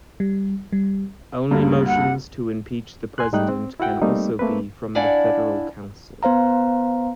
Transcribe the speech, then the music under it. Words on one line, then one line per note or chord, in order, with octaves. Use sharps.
Only motions to impeach the President can also be from the Federal Council.
G3
G3
D2 G2 A#3
F#5
G#5 C6 F#6
G#2 G3 A3 D#4 G5 F#6
C4
E4 F#4 F#5 G5
G3 A3 A#3 C4 D#4
A3 A#3 C4 B4
D4 E4 D5 F5 F#5 G#5
B3 C5 F5 A#5